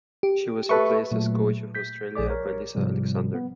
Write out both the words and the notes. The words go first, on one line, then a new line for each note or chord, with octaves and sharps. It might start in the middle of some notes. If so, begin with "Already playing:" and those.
She was replaced as coach of Australia by Lisa Alexander.
G4
A3 A4 B4 C#6
A#2 F#3 A3
G6 B6
A#1 G#4 D5 D6
A#4 C#5
G#2 C3 F3 G3
B3